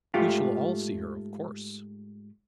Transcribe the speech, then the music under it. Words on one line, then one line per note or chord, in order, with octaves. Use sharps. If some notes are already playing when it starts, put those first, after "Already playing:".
"We shall all see her, of course."
G#2 A3 F4 G4